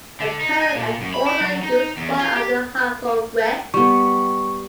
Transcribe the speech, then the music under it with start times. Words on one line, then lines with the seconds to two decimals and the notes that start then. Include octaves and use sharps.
A poet and author, he was one of the Hartford Wits.
0.20 D3
0.40 D#4
0.61 G#5
0.76 A#2
1.01 F#2
1.14 B5
1.27 E4
1.41 F#3
1.63 D#4
1.97 E2
2.20 F4
2.36 G4
3.74 G3 B3 C#6